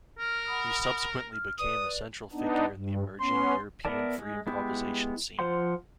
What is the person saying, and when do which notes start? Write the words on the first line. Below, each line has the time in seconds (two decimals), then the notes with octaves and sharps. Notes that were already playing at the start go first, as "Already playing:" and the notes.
He subsequently became a central figure in the emerging European free improvisation scene.
0.18 A#4 F6
0.47 F#5 B5 D#6
1.31 F6
1.59 B4 D5 D#6
2.33 B3 D4 D#4
2.73 G2
3.20 B3 C#4 C6
3.85 B3 E4 A#4 D5 A5
4.18 G#3
4.47 G#3 B3 E4 G4
5.39 F3 F4 C5 F#5 C6